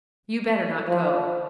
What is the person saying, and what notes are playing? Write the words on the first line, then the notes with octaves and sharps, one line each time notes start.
You better not go.
F3